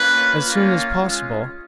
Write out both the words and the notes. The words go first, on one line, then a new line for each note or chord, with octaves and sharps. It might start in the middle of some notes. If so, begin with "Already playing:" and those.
"As soon as possible."
Already playing: A#3 C#4 F4 B4
A#3 C#4 F4
G#3 C#4 F4